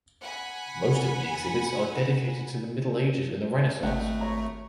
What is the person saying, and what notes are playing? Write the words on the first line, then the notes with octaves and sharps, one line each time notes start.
Most of the exhibits are dedicated to the Middle Ages and the Renaissance.
F#5 G#5 B5
G#1 G#3 A3 F#5 G5
C#5 A#5